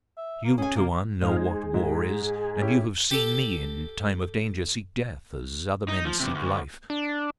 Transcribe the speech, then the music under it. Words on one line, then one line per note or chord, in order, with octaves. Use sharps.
You, Tuan, know what war is, and you have seen me in time of danger seek death as other men seek life!
E5
A#3
C#4 G#4 G#5
C3 A#3
G#2 G#3 D#4 C5 F5
G#4
G#2
C#4 E4 G4
G4 A4
D#4
F3
E2 C3
D2
D4